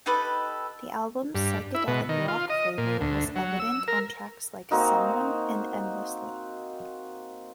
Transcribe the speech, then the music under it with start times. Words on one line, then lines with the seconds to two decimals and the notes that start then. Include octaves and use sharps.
The album's psychedelic rock flavour was evident on tracks like "Someone" and "Endlessly".
0.06 D#4 G4 A4 B4
1.35 G2
1.75 E4
1.88 B2
2.09 D#3
2.28 F4
2.50 D#5
2.78 A#2
3.01 D2
3.36 F#3
3.60 E6
3.88 A#4
4.71 A#3 C4 D#4 F#4